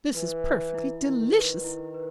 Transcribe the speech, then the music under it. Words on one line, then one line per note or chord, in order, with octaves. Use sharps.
This is perfectly delicious.
E3 B4
E4
E4
D#3 E4
B4
E4
B4